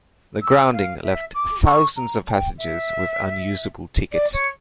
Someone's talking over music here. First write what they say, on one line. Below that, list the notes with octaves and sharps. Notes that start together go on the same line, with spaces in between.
The grounding left thousands of passengers with unusable tickets.
E6
F5
E5
D6
C#6
A#5
A5
G5
E5
D5
C#5